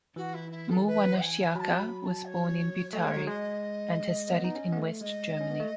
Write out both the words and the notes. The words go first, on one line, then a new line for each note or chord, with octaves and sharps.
Murwanashyaka was born in Butare and has studied in West Germany.
E3 F#4
E4
E4
A4
B4
G#5
F#3 A5 B5
B5
B5
A5
C#5
A3 C#5 D#5
G#3
F#3
G#3 D#5
B3
D#4
C#4
B3
A3
G#3 D#5
C#4
B3
A3